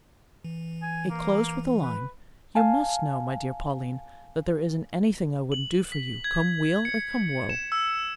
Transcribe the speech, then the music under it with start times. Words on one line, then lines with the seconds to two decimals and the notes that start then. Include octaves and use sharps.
It closed with the line, "you must know, my dear Pauline, that there isn't anything I wouldn't do for you, come weal or come woe."
0.44 E3
0.82 G#5
1.10 A#3
1.82 B4
2.55 F5 G#5 A5
5.52 F#7
5.92 B6
6.24 G#6
6.85 C#7
7.50 E7
7.72 E6